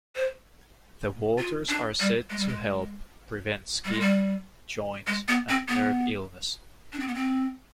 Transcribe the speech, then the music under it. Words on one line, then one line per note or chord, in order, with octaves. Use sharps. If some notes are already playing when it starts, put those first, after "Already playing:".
The waters are said to help prevent skin, joint, and nerve illness.
C5
F4
D4
G3
G#3
G3
G#3
G3
G#3
G3
G#3
B3
C4
B3
D4
C4
B3
C4